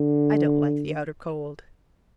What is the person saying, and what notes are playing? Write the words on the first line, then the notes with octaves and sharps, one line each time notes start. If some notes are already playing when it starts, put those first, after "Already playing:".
I don't like the outer Cold.'
Already playing: D3